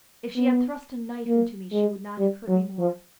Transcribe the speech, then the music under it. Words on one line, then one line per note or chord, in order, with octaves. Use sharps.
If she had thrust a knife into me she would not have hurt me more.
B3
A#3
G#3
G3
F#3
F3